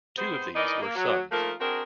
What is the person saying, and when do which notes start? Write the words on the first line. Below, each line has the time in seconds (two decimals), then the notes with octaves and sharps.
Two of these were sons.
0.18 C3 B3 G#4 C5
0.56 E3 D#4 A#4 D5 D#5
0.81 A#3
0.95 F#3
1.32 F3 A3 A#3 D#4 F4 A#4
1.61 C4 D4 F#4 G#4 A#4